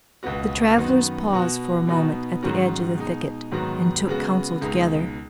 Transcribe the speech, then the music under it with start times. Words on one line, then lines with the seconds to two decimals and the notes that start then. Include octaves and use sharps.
The travellers paused for a moment at the edge of the thicket, and took counsel together.
0.23 C#2 B2 B3 F#4
0.77 F#2 D#3 B3 D#4 F#4
1.33 B2 B3 F#4
1.87 B2 B3 D#4 F#4
2.43 G#2 D#3 F#3 C#4 F#4
2.97 B2 G#3 D#4
3.51 G#2 D#3 F#3 B3 F#4
4.07 C#3 G#3 B3 F#4
4.61 C#2 B2 G#3 D#4